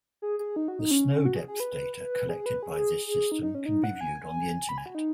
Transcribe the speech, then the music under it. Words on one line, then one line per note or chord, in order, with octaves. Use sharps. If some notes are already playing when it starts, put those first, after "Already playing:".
The snow depth data collected by this system can be viewed on the Internet.
G#4
G#4
D#4
F#4
D#4
C#4
F#4
G#4
G#4
B4
G#4
B4
G#4
D#4
D#4
C#4
D#4
F#5
G#5
B5
G#5
F#4
D#4